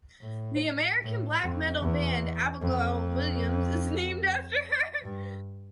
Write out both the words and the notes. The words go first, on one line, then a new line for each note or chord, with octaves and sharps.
The American black metal band Abigail Williams is named after her.
A2
A2
F2
E2
F2
G2